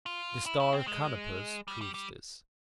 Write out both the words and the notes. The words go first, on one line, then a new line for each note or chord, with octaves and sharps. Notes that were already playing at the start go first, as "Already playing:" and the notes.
The star Canopus proves this.
F4
E4
E4
C4
G#3
G3
G3
G3